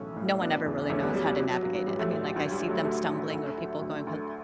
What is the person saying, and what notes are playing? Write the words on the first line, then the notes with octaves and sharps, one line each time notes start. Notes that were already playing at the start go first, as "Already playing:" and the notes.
No one ever really knows how to navigate it. I mean, like, I see them stumbling or people going ho
Already playing: B1 A2 E3 A3 C#4
A2
F#3 B3 D4
E2
E2 A3 C#4
G3 B3
F#3 G3
G3
F#3
F#3
G2 F#3
F#3
A1 G3
F#3 A3
A1 G3
F#3
D2 F#3
G3
D3
F#3 A3
D3 F#3 A3
D3
D2
F#3
D2
D2